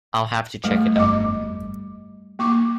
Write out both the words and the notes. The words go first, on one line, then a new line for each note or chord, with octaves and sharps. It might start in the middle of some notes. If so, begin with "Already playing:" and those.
I’ll have to check it out.
G#2 G3 A3
G1 F2 D#5 D6
G3
A#3 C#6 D6